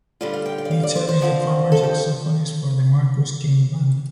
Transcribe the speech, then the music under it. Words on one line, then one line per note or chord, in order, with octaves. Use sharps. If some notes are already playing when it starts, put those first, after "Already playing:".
Mitchell is the former saxophonist for The Marcus King Band.
D3 G3 F4 D5
F5
G5
G5
D5
F5
D5
C5
C5
D3 F3 C4
A4
G4